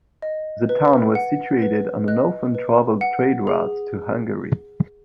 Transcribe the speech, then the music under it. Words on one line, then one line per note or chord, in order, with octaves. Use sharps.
The town was situated on an often traveled trade route to Hungary.
D#5
B4
F#5
B4
D#5 F#6
B4
F#5
G#4